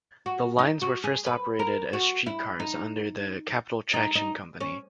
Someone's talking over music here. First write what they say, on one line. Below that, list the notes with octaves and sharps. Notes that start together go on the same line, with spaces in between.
The lines were at first operated as streetcars under the Capital Traction Company.
F#4
D#4
F#4
G#4
B4
A#4
F#4
E4
D#4
D#4
D#4
C#4